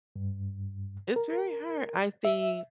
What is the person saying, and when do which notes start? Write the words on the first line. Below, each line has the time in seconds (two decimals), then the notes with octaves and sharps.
It's very hard. I think
0.16 G2
1.16 A#4
2.25 E5